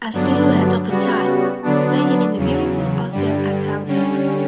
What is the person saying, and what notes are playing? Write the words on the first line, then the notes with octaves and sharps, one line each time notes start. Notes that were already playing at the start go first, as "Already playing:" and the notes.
A silhouette of a child playing in the beautiful ocean at sunset.
G2 D3 F#3 B3 D4
C#3 G3 B3 F#4
D3 F#3 B3 D4
E2 C#3 F#3
G2 D3 G3
D3 G3 C#4